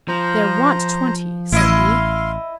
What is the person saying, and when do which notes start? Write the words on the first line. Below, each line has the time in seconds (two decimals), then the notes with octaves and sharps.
"There want twenty," said he.
0.08 F3 C5 A#5
1.52 A1 E4 D#5 F5 C6